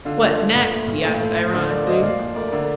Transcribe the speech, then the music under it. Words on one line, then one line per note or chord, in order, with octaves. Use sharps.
"What next?" he asked ironically.
D3 D4 F4
F3
A3
A#2
A3
A#2
A2 F4 A4
A3
A2
D3 A4 C5
F3 A#4 D5
A#3 C5 D#5
A#2 D5 F5
F3 D5 F5
A3 A#4 D5
D3 A#4 D5